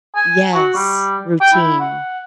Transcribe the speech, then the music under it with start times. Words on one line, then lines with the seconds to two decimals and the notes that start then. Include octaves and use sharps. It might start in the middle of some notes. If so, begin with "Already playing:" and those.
Yes. Routine.
0.15 G#5
0.54 F#4
0.75 G3
1.41 G5
1.53 E4
1.80 F#5